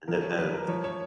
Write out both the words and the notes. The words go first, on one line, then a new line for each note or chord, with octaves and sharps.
And, eh, that
F3 A#4
C#5
F3 B4
A#4
F3 C#5
C#5